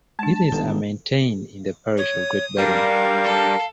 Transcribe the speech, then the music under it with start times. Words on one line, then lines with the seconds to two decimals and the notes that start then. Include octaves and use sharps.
Details are maintained in the parish of Great Burdon.
0.19 G#3 D4 A5
0.52 G1 D#3 A4
1.97 C#5 D#6
2.58 G3 D4 A#4 F5
3.23 A4